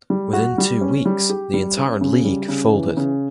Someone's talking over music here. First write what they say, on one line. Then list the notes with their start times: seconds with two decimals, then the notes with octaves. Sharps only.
Within two weeks the entire league folded.
0.10 G3
0.33 F#4
0.58 G3
0.81 C#4
1.06 G3
1.29 G4
1.54 G3
1.77 C#4
2.01 C#3
2.25 G3
2.48 C#3
2.73 E3
2.97 C#3